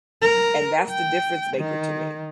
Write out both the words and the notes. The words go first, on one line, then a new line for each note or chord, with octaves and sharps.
And that's the difference maker to me.
A#4
G5
D#3